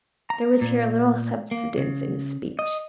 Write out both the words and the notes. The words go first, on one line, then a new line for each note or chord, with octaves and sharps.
There was here a little subsidence in his speech.
A#5
A#2
A#3
C#3
D#5